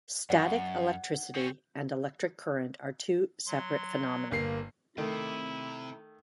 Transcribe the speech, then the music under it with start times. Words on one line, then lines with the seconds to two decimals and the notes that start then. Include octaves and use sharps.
Static electricity and electric current are two separate phenomena.
0.30 F#2 D5 F#5
1.35 C4 C#4
3.47 F#3 C6
4.31 G1 A#3 C7
4.98 C3 D#3 A3 E4